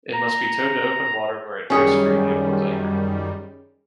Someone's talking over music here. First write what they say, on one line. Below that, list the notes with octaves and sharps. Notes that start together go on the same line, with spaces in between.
It must be towed to open water, where it drifts freely or is anchored.
A#5
F#2 D#3 G3 C#4 G#4 C#5